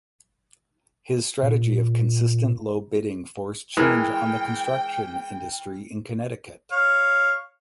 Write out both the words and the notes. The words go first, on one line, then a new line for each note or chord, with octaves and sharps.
His strategy of consistent low bidding forced change on the construction industry in Connecticut.
A#2
E3 G#3 A#4 G5
C#5 F5